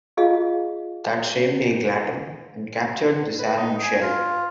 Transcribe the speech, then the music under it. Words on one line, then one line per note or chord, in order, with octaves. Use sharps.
That same day "Glatton" and captured the "San Michelle".
F4 G#4 D#5 F5
B4
D#4
G#5
F4